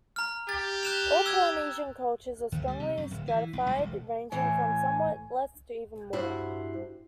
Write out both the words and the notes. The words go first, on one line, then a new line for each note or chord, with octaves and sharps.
All Polynesian cultures are strongly stratified, ranging from somewhat less to even more.
A#5 F6
G4 A6
F#6 E7 F7
E6 G#6
D2
G3
C3
F#2
D1
E3
B1
C2
E1
A2 E3 G#5
G2 E4 F#4 C5 F#5